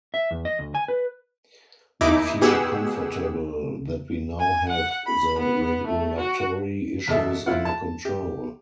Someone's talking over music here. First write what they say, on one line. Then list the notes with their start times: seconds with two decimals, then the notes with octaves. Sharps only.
We feel comfortable that we now have the regulatory issues under control.
0.14 E5
0.31 E2
0.45 D#5
0.59 D2
0.75 G#5
0.88 B4
2.01 D#2 D#4 E4 D6
2.41 B2 G4 G#4 F#5 E6
4.39 G#5
4.69 F#5
5.06 B5
5.39 B3
5.87 A3
6.18 F#4
7.08 E2 B2 A4 E5
7.46 E4 F4 F#5
7.65 A5
8.05 G4